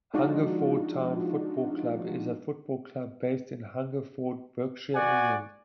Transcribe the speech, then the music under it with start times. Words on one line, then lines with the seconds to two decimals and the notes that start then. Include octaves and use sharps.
Hungerford Town Football Club is a football club based in Hungerford, Berkshire, England.
0.14 F3 G#3 D4 D#4 F4 F#4
4.95 F#4 D5 F#5 G#5